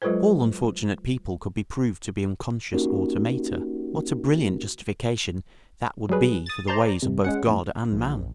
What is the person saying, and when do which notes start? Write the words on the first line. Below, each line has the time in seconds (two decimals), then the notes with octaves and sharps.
If all unfortunate people could be proved to be unconscious automata, what a brilliant justification that would be for the ways of both God and man!
0.02 F#3 G#3 F4 A4 B4 C5
2.74 A#3 C#4 D#4 F#4 G4 A#4
6.09 F#3 G3 G#4 B4
6.46 D#6 A6
6.67 C5 D5 A5 A#5 C6
7.02 G2 C3
7.24 G#3 C#4 F#5
7.47 F2 A2
7.92 A#1